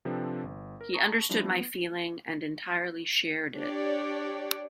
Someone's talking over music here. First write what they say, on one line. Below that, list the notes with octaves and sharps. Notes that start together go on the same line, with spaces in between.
He understood my feeling and entirely shared it.
C3 F3 C4 D4 A4 B4
G1
A#4
A5 A#5 C#6 D#6 A#6
F3 G3 D4 E4
B3
D4 G4 C#5 D5 G5